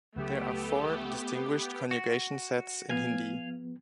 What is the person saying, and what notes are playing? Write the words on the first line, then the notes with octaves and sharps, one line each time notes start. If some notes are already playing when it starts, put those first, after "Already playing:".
There are four distinguished conjugation sets in Hindi.
C#2 C#3 F#3 A3 B3 G4
F#4
F3 B3 F5 G#5